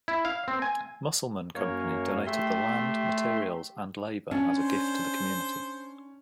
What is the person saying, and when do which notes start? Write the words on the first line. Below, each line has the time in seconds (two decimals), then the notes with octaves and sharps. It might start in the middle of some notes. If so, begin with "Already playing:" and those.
Musselman Company donated the land, materials and labor as a gift to the community.
0.08 E4
0.25 F5
0.48 C4
0.62 G#5
1.56 F#2 A#3 C#5
2.27 A3 G4 E5 C6
4.31 C#4 D4
4.56 C5